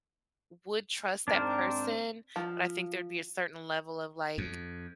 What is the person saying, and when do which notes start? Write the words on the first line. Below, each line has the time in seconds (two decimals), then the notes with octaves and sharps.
would trust that person, but I think there'd be a certain level of like
1.28 G#2 C4 D4 A#4 C5
2.36 F3
4.38 F2